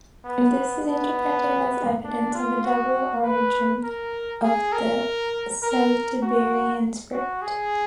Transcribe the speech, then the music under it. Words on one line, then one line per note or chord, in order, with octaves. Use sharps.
This is interpreted as evidence of a double origin of the Celtiberian script.
B3
B3
D4
F4
F#4
B4
A#4
G#4
A#4
A#4
F#4
F#4
G#4